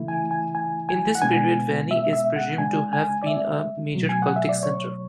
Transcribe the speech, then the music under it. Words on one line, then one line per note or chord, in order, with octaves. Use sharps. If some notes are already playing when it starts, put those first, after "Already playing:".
In this period Vani is presumed to have been a major cultic centre.
Already playing: C#3 E3 A3 E4
G#5
G#5
G#5
G#5
F#5
B2 G#3 B3 D4 G#5
E5
E5
F#5
C#3 G#3 D4 G#5
G#5
D5
E5
B2 F#3 A3
G#5
F#5
E5
D5
C#5